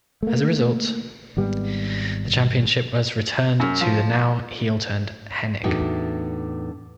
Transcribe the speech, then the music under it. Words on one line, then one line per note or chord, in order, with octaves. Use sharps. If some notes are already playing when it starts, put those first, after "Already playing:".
As a result, the championship was returned to the now heel-turned Hennig.
A3 A#3
G#1 G#2 G3 B3
F#2
F3
E2 A2 D4 D#4 F#4 G5